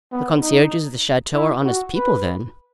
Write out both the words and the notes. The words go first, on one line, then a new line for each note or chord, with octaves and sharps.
"The concierges of the chateau are honest people, then?"
B3
D#4
E4
F#4
B4